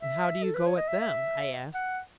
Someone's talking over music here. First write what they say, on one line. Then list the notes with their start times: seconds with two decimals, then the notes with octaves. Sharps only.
"And how do you go at them?" I asked.
0.02 E5
0.43 A4
0.55 B4
0.66 C#5
0.77 D#5
0.88 E5
1.74 F#5